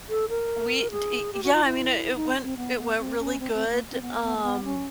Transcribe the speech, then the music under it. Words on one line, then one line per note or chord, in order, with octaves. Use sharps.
We d Yeah, I mean, i it went it went really good, um
A4
A#4
G#4
G4
F#4
F4
E4
D#4
C4
B3
B3
C4
C#4
C4
C4
A#3
C4
B3
B3
A#3
B3
C#4